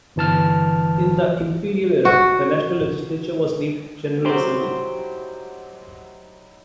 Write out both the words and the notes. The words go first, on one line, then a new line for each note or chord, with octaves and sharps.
In the imperial era the national legislature was named "General Assembly".
G1 E3 A5 F6
F#4
F#3 D#4 E4 G4 C5